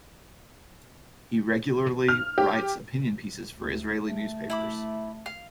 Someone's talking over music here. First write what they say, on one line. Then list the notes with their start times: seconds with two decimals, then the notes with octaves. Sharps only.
He regularly writes opinion pieces for Israeli newspapers.
2.08 F6
2.38 G4
3.52 D2
4.07 A3
4.50 E4 B5 D6
5.26 F5